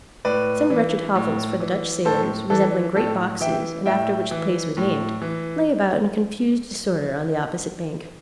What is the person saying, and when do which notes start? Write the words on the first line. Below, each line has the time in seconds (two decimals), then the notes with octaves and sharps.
Some wretched hovels for the Dutch sailors, resembling great boxes, and after which the place was named, lay about in confused disorder on the opposite bank.
0.25 A2 B4 D5
0.70 E3
1.15 A2
1.60 E3
2.05 A2 A4 C5
2.50 E3 A4
2.95 A2 A4
3.40 E3 E5 G5
3.86 A2 E5 G5
4.31 E3
4.77 A2
5.21 E3